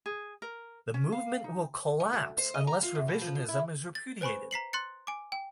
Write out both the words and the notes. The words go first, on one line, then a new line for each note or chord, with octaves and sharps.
The movement will collapse unless Revisionism is repudiated.
G#4
A#4
C#4
F5
D#4
D#3
D2
C5
D#5
A#5
F4
F#2
B2
F3
F3
E4
A6
B4 C5 G#5 B5 C#6
A#5 B6 C7 F#7
C6 F#6 A6 C#7
G#5 D6
G5